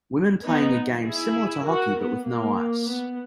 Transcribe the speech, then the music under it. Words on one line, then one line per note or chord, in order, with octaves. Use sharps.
Women playing a game similar to hockey, but with no ice.
B3 D#4
E4 G#4
F#4 A#4
B3
A#3
B3